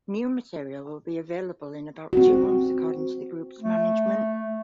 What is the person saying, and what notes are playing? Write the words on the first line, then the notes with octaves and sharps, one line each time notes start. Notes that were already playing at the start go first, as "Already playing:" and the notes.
New material will be available in about two months according to the group's management.
C4 F#4
A3